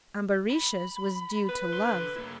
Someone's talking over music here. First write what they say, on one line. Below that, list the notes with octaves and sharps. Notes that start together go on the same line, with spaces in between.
Ambarisha's was due to love.
B5
B4
D3 C6
A#3 E4